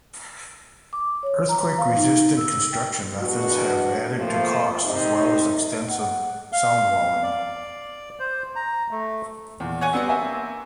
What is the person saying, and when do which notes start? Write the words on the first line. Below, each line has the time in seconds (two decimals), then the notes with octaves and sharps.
Earthquake resistant construction methods have added to costs, as well as extensive soundwalling.
0.93 D6
1.23 C#5
1.49 A#5
1.78 F5
1.96 D#4
2.37 E6
2.72 G5
3.20 E2 B2 D4 F#4
4.16 F2 F3 A3 A#3
4.85 C3 D#4
5.89 F#5
6.53 F5
7.23 D5
8.20 C5
8.56 A#5
8.91 A3
9.60 E2 A#2
9.81 C#5 F#5 G#5
9.93 G3 B3 C4 D4 F#4
10.09 A#3 E5 G#5